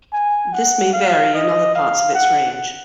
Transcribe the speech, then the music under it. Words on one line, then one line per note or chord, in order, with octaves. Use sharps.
This may vary in other parts of its range.
G#5
F#5
F5
D#5
F5
F#5